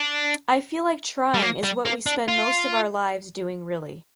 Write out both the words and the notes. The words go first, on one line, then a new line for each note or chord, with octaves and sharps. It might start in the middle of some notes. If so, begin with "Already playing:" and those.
I feel like trying is what we spend most of our lives doing really.
Already playing: D4
G3
A#3
G3
A#3
D4
F4